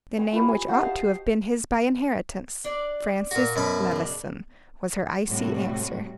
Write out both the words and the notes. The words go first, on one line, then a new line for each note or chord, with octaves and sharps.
"The name which ought to have been his by inheritance--'Francis Levison,'" was her icy answer.
D#5 G#5 C#6
F4 G4 B4 D#5
G#5
F#4 G4 C5 E5
D#5 F5 A5
D4 D5
A#2 F#4
F#2 B2 B5
C#3 D4
A2 C3 G3 F#4